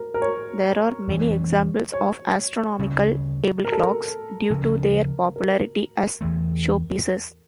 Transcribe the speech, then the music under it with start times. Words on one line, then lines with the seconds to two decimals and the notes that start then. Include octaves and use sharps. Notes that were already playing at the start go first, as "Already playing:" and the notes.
There are many examples of astronomical table clocks, due to their popularity as showpieces.
Already playing: A#4
0.14 A#4
0.22 C#5
1.07 F2 E3 G3 C#4
1.94 C#5
2.79 D2 C#3 G3 C#4
3.65 A#4
3.72 A4
3.81 A#4
4.50 D2 C#3 F3 C#4
5.36 A#4
6.21 E2 E3 A3